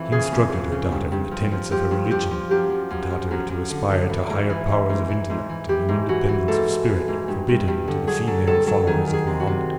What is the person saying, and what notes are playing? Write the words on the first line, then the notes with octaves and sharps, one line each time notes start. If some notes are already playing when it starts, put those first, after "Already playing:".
She instructed her daughter in the tenets of her religion and taught her to aspire to higher powers of intellect and an independence of spirit forbidden to the female followers of Muhammad.
Already playing: F2 E3
C#3 G#4
F2
C#3
C#3
G2
G2
F3
F3
F3 G4
G2
F3 G4
F3
F#2 G4
F3
F#2
F3
F#2
F#2
D3
D3
E3
G#2
E3
G#2
G#2
E3
G#2
E3
E3 G4
G#2
E3 F#4
E3
G#2 A4
G#2
E3
G#2
G2
G2
G2
D3
F#3 G#4
F#3 A4
G2 A4
F#3 A4
D#3 G#4
D#3
G#4
C3
F#4
C3